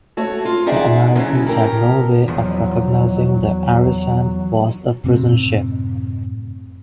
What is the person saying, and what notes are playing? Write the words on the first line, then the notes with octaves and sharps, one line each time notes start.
The Americans had no way of recognizing the "Arisan" was a prison ship.
A3 F#4 C#5
F4
D#4 G#4 D5 E5 F#5 G5
D#2 C#3 E3 F#3 C#4
A2 G4 A#4
E2 A#2 F3 F#3
F#2 A2 C3 C4